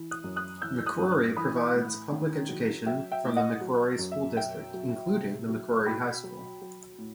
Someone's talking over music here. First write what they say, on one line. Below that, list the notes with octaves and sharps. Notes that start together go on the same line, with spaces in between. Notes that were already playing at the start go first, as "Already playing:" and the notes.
McCrory provides public education from the McCrory School District including the McCrory High School.
Already playing: E3
D#6 F#6
F#2
D#6 F#6
E3 E6 G6
D#6 F#6
G2
D#6 F#6
E3 B5 D#6
A2
D#3
F#3
F#3 E5 G5
E5 G5
A2
D#5 F#5
F#3
F#2
E5
B2 E5 G5
F#3
C3
F#3
B2 G5 B5
F#3
F#3
A2